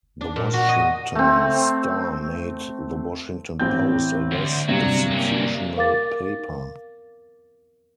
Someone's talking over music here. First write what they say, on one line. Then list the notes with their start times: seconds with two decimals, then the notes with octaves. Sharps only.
The Washington Star made The Washington Post a less institutional paper.
0.21 D4
0.36 A#2
0.53 F#4
0.69 D#5
1.15 A3 C4
3.60 A1 C4 G6
4.31 D2
4.68 G2 C3 F#3
5.11 A#3 C#4
5.77 A#4 F5 D6 A6